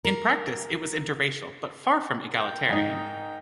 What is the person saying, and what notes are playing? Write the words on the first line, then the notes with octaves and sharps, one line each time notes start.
In practice, it was interracial, but far from egalitarian.
A#4
A#4 G5
G#2 D#4